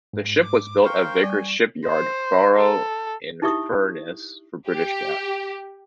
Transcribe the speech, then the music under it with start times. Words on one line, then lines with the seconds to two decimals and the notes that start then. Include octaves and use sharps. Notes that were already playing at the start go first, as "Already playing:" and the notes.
The ship was built at Vickers shipyard, Barrow-in-Furness, for British Gas.
0.13 G#2
0.43 D6
0.85 A#4 C5 F5 G5 C#6
1.23 G3 G#5
1.86 C5
2.56 A4
3.42 D#4 E4 G4 E5 C#6 D#6
4.68 G4